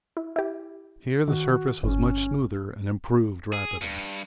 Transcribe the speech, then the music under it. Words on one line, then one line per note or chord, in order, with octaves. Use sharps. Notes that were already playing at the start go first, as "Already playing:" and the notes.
Here the surface was much smoother and improved rapidly.
E4
E4 G4
D#3 F#4
G1 C#4
G#4
G2